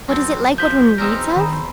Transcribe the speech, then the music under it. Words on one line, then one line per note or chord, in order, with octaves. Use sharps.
"But is it like what one reads of?"
F#2 C4 A5 C#6
F3 G6 B6
E2 B3 C4 D#4 A#4 E6
D#3 C5 A#5 B5